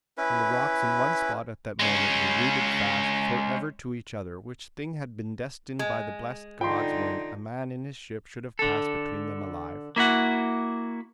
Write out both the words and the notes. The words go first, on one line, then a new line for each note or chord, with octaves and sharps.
And the rocks in one spot at that moment were rooted fast for ever to each other, which thing had been destined by the blessed gods, when a man in his ship should have passed between them alive.
C#4 E4 B4
G#3 C#4
G#3
D3 D#4 F4 F5 G5 C6
D3 A4
A#3 E4 F#4 F#5